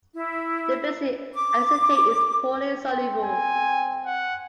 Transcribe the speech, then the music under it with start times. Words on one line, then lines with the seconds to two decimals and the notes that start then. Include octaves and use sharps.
The basic acetate is poorly soluble.
0.15 E4
1.35 D6
2.89 C4
3.24 G#5
4.06 F#5